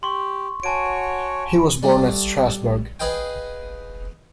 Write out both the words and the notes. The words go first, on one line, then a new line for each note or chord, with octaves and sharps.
He was born at Strasbourg.
G4 C6 C#6
F#4 C#5 G#5 A5 D7
G3 A3
G#4 B4 D#5 F5 G5